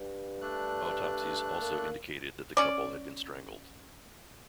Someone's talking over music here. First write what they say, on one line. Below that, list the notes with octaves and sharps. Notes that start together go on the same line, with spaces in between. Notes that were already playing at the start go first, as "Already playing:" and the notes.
Autopsies also indicated that the couple had been strangled.
G2
A3 D4 F#6
A#3
C#4 D5